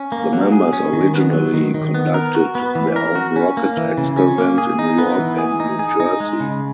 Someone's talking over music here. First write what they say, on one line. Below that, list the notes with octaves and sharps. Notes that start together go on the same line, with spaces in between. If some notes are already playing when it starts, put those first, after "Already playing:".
The members originally conducted their own rocket experiments in New York and New Jersey.
Already playing: C#4
A#3
F#3
G#4
C#4
D#3
B3
F#3
D#3
D#3
B3
A#4
F#4
B3
E3
A#4
F#4
C#4
A#3
E3
C#3
C#4
A#3
G#4
D#4
B3
E3
G#4
D#4
G#4
D#4
G#3
C#3